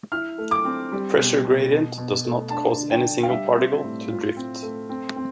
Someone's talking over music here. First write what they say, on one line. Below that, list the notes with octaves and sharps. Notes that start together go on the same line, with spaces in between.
A pressure gradient does not cause any single particle to drift.
E4 F6
A3
D6
C4
G3
B2
B2
B2
B2
A3
D4 A5
D3
G5
D4
F5
G3 E5
C4
A2
F4
C4
A3
C4
C4